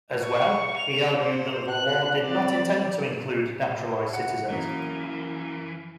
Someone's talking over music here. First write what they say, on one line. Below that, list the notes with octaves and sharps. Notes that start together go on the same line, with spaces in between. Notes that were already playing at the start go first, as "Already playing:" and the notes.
As well, he argued that the law did not intend to include naturalized citizens.
C#6
F7
C5
F#6
C4 D5
F#5 C#7
F#2 C#3 E3 A#3